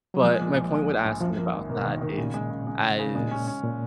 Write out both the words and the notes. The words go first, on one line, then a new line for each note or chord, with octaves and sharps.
but my point with asking about that is, as
F#3
F3 G#3
A#2
A#1
G#3
A#1
A#1
F#2 F3
A#3
G#1
B2 A#3
D#3
D#3
A#2 C#3
G#3
C#3
G#3
C#3
C#3
A#2 G#3
C#4
C#4
A#2